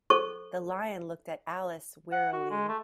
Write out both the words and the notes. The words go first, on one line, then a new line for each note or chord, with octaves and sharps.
The Lion looked at Alice wearily.
A4 C5 C#6
F#5
F#4
G#3
A3